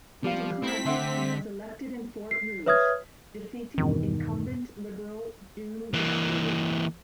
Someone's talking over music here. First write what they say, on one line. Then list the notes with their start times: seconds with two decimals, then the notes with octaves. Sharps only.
He declined and was elected in Fort Rouge, defeating incumbent Liberal June Westbury.
0.24 F3 G3 G4 F5
0.63 A3 C4 E4 B6
0.85 D3 E5 F#5 C6
2.31 C7
2.66 B4 C#5 E5 D#6 F6 G#6
3.78 E2 G2 B2 D#3
5.94 E3 A#3